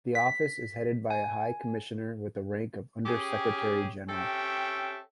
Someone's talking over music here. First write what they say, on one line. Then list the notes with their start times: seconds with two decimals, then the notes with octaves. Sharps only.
The Office is headed by a High Commissioner with the rank of Under-Secretary-General.
0.15 B6
1.10 G#5
3.05 C#4 G4 G#4
4.09 C4 C#4 G4 A4 E5 G5